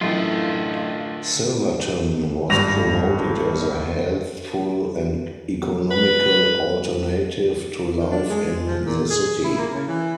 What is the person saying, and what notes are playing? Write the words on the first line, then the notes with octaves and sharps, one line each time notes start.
Silverton was promoted as a healthful and economical alternative to life in the city.
F#2 A2 D3 E3 A3 F4 D#5
G#1 G2 A#6 F7
B4
D#3
D4
G#3
F3
A#2
G#4
E4
A#3
C#3
E3